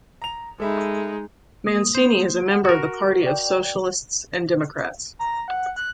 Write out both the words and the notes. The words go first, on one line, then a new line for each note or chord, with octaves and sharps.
Mancini is a member of the Party of Socialists and Democrats.
A#5 F7
G#3 D#4 A4 E5 B5
A#3 D#6
C5
F#5
F#4 A#4
D5 G5
A#5
F#5
F#6